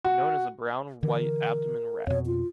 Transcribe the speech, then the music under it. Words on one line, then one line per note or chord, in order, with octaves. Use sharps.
Known as a brown-white abdomen rat.
F#4
D3 E3 A#4
F2 B2 C#5
F4